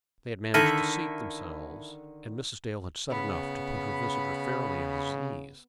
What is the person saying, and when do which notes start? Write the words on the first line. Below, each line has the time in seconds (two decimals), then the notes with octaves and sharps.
They had managed to seat themselves, and Mrs. Dale had said enough to put her visitor fairly at his ease.
0.54 D3 D#3 E4 A4 E5 F6 A#6 D#7
3.10 C#3 B3 B5